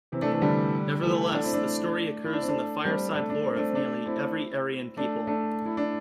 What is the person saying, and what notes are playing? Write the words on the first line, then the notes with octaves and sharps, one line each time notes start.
Nevertheless, the story occurs in the fireside lore of nearly every Aryan people.
C3 E3
A3 D4
E3 A3
D3 G3
E3 A3
A3 D4
C4 E4
A3 D4
E4
D4
C4
A3 D4
G3 C4
A3 D4
D4
C4
A3 D4
C4
A3 D4
C4 E4
A3 D4
A3 D4
E4
D4